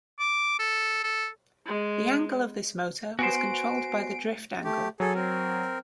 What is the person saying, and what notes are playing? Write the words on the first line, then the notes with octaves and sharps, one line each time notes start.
The angle of this motor was controlled by the 'drift angle'.
D6
A4
A4
G#3
B3 F#4 C5 G#5 D7
A3 G4
F#3 G#4 A4
C4 A#4